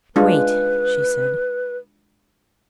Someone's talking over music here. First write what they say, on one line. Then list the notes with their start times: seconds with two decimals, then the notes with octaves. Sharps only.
"Wait," she said.
0.16 G#3 D4 F4 B4